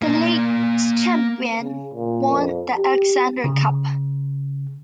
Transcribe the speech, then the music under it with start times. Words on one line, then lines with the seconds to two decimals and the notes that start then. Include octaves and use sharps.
The league's champion won the Alexander Cup.
0.02 A#3 D5
1.60 C#3
1.94 A#2
2.31 F2
2.77 G4
3.44 C#3